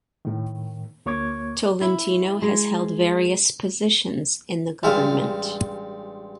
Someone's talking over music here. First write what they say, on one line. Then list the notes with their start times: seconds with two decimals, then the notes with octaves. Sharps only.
Tolentino has held various positions in the government.
0.25 A2 D#3
1.06 D2 A#3 C#5 C#6 D6 G#6
1.81 E4
2.42 G#3
4.83 A1 G2 G#3 E5 F5